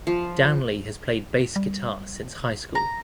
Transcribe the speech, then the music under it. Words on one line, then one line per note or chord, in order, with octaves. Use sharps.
Danley has played bass guitar since high school.
F3
G3
A#5